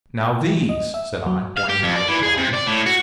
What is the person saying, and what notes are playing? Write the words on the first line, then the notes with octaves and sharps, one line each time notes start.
"Now these," said I, pointing to the other bodies.
G5
E3
D#5
E5
F#3
F5
G4
F2
D5
E3
G#4
C3
D5
A2
F#4